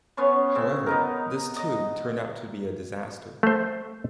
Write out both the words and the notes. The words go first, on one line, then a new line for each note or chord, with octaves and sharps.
However, this too turned out to be a disaster.
B3 C#4 C#5 C6
C#3 C4
B3 D#4 A#4
D#5
A3 C5